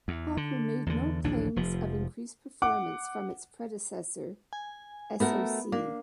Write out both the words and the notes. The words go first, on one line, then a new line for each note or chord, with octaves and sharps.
Apple made no claims of increased performance from its predecessor SoC.
E2
D3
E2 D3
A#1 D#2 E3 D4
F1 F3
F#5 D6
G#5
A3 B3 F#4 A#4
A#3 D4